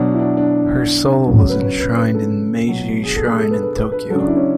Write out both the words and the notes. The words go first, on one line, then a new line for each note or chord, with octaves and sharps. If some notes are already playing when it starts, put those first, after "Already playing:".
Her soul was enshrined in Meiji Shrine in Tokyo.
Already playing: B2 F#3 D4
E4
D4
D4
C#3 F#3 B3
C#4
B4
B4
B4
B4
A4
B2 F#3
G#4
A4
G#4
A4
B4
B4
B4
B4
C#3 F#3 D4 A4
E4
C#4